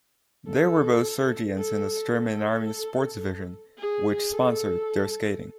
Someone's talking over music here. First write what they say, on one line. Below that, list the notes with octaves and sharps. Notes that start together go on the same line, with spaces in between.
They were both sergeants in the German Army's sports division, which sponsored their skating.
A4
A4
A4
G#4
A4